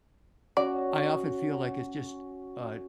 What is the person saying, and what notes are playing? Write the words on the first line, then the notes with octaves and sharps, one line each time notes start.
I often feel like it's just, uh,
C#4 F#4 D5